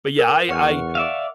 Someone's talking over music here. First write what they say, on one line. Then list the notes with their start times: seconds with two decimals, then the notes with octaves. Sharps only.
but, yeah, I I
0.19 A#4
0.49 E2 F#5 C#6 F6
0.95 D5 E5 F5